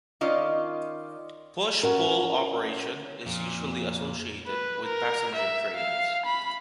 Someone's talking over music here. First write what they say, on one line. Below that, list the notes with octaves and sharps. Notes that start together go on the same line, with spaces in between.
Push-pull operation is usually associated with passenger trains.
D#3 C#4 F4 D5 D#5
C#4 F#4 A#4
F2 A#2
B4
A#4
E5
F5
B5